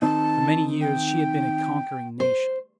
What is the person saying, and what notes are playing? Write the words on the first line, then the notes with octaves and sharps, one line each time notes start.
For many years she had been a conquering nation.
D#3 C4 D#4 A5
G5
C5